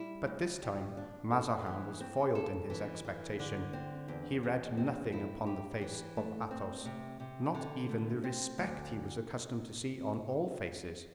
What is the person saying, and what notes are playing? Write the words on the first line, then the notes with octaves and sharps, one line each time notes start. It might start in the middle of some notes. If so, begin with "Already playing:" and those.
But this time Mazarin was foiled in his expectation: he read nothing upon the face of Athos, not even the respect he was accustomed to see on all faces.
Already playing: G3 E4
D2
G3
D4
A4
E3
C4
A4
E3
E3
D3
C4
E2
E2
C4
E4
G4
E3
A3
C4
C3
C3
D3
A3
C4
D2